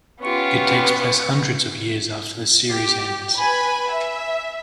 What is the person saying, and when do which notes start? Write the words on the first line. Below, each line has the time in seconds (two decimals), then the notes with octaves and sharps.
It takes place hundreds of years after the series ends.
0.22 B3 C#4 F4 G4 C#6
2.71 G4
3.37 B4 G#5 B5
3.90 E5